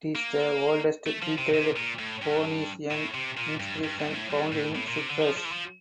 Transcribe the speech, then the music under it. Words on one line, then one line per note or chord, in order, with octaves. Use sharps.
It is the oldest detailed Phoenician inscription found in Cyprus.
A#3
A3
F3
C3
C3
A#2
A2
G2
A2
C3
A#2
G2
G2
G2
G2
A2
G2
A2
A2
A#2
C3
D3
F3
F3
E3
F3